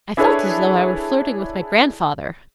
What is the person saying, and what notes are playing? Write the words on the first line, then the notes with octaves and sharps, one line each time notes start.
I felt as though I were flirting with my grandfather.
D4 E4 G#4 A4 B4 C#5